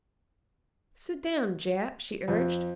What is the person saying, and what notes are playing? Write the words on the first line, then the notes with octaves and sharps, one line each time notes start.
"Sit down, Jap," she urged.
F2